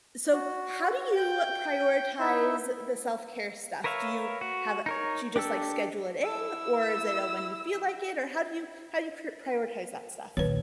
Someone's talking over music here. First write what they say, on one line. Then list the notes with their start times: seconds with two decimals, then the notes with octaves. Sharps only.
So, how do you prioritize the self-care stuff? Do you have a do you just, like, schedule it in? Or is it a when you feel like it? Or how do you how do you pr prioritize that stuff?
0.33 F#4
1.15 G5 G6
2.19 D#4 E4 E5
3.84 A#4 B4 C#5 E5 F5
4.41 F#4
4.86 D#4 A#4 C#5
5.36 D4 G4 A4 E6
6.23 E4 E6
10.37 A#1 D#2 B4 C#5